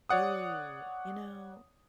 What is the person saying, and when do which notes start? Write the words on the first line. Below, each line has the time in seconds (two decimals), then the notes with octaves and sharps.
Ooh, you know,
0.09 C#5 D5 F#5 D#6